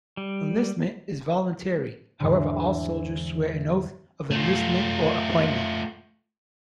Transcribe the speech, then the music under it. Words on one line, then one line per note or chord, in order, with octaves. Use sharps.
Enlistment is voluntary, however all soldiers swear an oath of enlistment or appointment.
G3
E2 G#2 D3
A3 F4